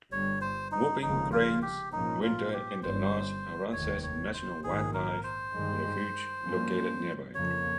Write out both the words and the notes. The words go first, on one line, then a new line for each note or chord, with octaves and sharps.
Whooping cranes winter in the large Aransas National Wildlife Refuge located nearby.
G1 G2 G3 C#5
C5
D#4
F1 D#2 C#3 F3 G#3 D#4
F4
G4
A#1 G#2 F3 A#3 C#4 D#4
F4
G4
G1 G2 G3 C#4 C5
F1 D#2 D#3 C#5
C#5
C5
A#1 G#2 D#3 G#4
A#4
C5
G2 D#3 G#3
G2 F3 A#3 C#4
F2 C#3 F3 A#3 C#5